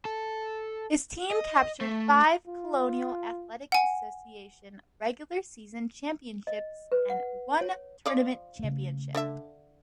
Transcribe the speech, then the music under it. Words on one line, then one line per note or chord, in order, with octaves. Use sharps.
His teams captured five Colonial Athletic Association regular season championships and one tournament championship.
A4
D#5
A3
F4
F#5 G#5
D#5
B4
F#5
C#5
F3 D5 F5
C#3 A3
D3 D4 E5